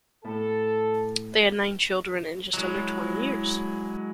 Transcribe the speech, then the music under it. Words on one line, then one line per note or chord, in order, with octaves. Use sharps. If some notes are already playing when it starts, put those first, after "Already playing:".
They had nine children in just under twenty years.
A2 A4
F#3 G#3 E4